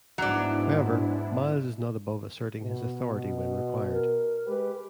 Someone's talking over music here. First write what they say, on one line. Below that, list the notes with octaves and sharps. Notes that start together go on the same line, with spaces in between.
However, Miles is not above asserting his authority when required.
G#2 F#3 B3 D4 E4 D5
B2
A#4
G#3 G4 B4